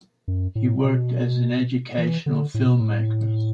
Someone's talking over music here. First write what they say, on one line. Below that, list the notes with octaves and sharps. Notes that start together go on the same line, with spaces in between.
He worked as an educational filmmaker.
F#2
A2
B2
E3
D3
A2
B2
A2